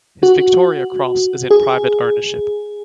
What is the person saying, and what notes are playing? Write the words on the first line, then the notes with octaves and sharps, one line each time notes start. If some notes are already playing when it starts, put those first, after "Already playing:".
His Victoria Cross is in private ownership.
F#4
G#4